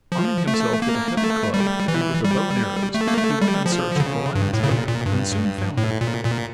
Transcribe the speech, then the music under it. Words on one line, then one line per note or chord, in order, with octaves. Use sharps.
Arming himself with a heavy club and with a bow and arrows, he went in search of the lion's lair and soon found it.
F3
A3
A#3
A3
G3
E3
G3
A3
A#3
A3
G3
F3
D3
C#3
G2
A2
C#3
A#2
A#2
G2
A2
A#2
A#2